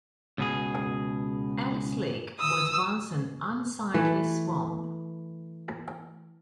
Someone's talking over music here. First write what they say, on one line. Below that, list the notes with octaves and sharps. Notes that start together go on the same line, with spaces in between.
Ellis Lake was once an unsightly swamp.
C#2 B2 G#4
D#6 E6
E3 A3